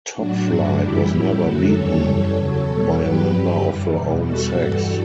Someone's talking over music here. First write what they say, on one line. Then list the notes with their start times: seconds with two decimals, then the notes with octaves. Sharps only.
Top Flight was never beaten by a member of her own sex.
0.16 A2 F#3 D4 F#4
0.48 G2 D3 F#3
0.79 F#2 E3 G3 E4 G4
1.11 A2 G3
1.42 F#2 D3 F#3 F#4 A4
1.73 E2 C#3 E3 G3 A4 C#5
2.05 F#2 E3 G3
2.36 E2 C#3 F#3 A4 C#5
2.68 E2 B2 G3
2.98 G2 F#3 G4 B4
3.30 G2 D3 F#3
3.62 F#2 E3 G3
3.93 E2 B2 G3
4.24 E2 B2 G3 F#4 A4
4.56 G2 E3 G3